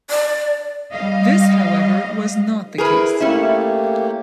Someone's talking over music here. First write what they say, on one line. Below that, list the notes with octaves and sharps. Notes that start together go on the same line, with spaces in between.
This, however, was not the case.
D5
G3 D#5 F5
E4 G#4 A#4 B4
A3 A#3 C#4 E4 G4